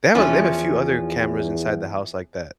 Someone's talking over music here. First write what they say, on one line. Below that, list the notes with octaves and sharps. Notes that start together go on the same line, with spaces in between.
They have a they have a few other cameras inside the house like that,
E2 E3 F3 C#4